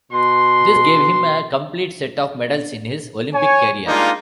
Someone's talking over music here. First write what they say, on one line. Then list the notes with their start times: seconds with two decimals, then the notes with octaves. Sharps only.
This gave him a complete set of medals in his Olympic career.
0.12 B2 C6
3.34 C#5 G#5
3.88 G3 G#3 A#3 D4 D#4 F4